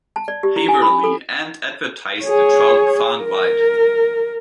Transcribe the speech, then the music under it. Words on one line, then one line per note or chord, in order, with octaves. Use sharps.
Haverly and advertised the troupe far and wide.
A5
D5
G4
E4
G#5
B5
A4
G#4 C#5
A#4